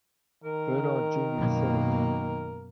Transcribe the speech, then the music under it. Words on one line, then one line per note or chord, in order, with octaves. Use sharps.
Bernhard Junior said.
D#3 A#4
F#2 B2 A#3